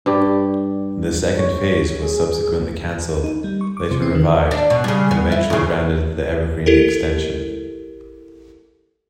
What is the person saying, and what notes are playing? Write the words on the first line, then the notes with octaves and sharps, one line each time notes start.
The second phase was subsequently cancelled, later revived and eventually branded the Evergreen Extension.
G2 G4 D5
C#5
G#4
D#4
G3
C#6
D6
C3
C4
D#3
D4
B2
C#3 G3
B3
E4
D#2 C#3
E4 G4 A4 A#4